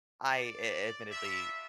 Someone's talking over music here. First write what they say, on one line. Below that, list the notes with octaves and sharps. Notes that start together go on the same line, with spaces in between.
I a admittedly,
D5
G3 D4 F4 E5